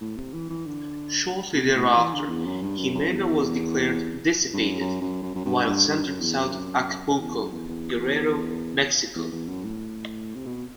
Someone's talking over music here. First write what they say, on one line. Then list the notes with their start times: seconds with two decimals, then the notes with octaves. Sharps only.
Shortly thereafter, Jimena was declared dissipated while centered south of Acapulco, Guerrero, Mexico.
0.01 A2
0.17 C3
0.33 E3
0.50 E3
0.66 D3
1.54 B2
1.65 B2
1.75 A2
1.97 E3
2.13 D3
2.29 E2
2.46 F#2
2.62 G2
2.78 F#2
2.95 F#2
3.11 E2
4.53 G2
4.58 F#2
4.80 F#2
5.01 F#2
5.23 F#2
5.35 F#2
5.45 G2
5.67 G2
5.89 G2
6.04 F#2
6.21 E2
6.37 F#2
7.19 E2
7.35 F#2
7.51 E2
7.68 E2
9.15 E2
9.32 E2
9.48 F#2
9.64 A2
10.35 C3
10.46 B2